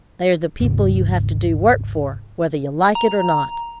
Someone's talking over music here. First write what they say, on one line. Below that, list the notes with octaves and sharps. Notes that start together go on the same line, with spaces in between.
They are the people you have to do work for, whether you like it or not.
G#1 D#2 G#2 C#3
A#5